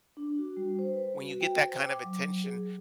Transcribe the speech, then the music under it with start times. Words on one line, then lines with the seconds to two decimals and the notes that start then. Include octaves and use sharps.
when you get that kind of attention,
0.17 D4
0.39 F#4
0.57 G3
0.79 C5
0.93 B4
1.19 F#4
1.41 G5
1.65 C5
1.86 D6
2.04 F#3
2.44 G#4